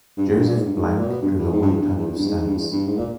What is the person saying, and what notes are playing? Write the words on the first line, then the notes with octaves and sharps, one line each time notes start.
Joseph Blanc drew the White type of stamps.
G2
E2
G2
A#2
G#2
G2
G#2
A#2
B2
G2
E2
G#2
G2
E2
G2
E2
E2
G2
G#2
G#2
G2
E2
G2
G#2
A#2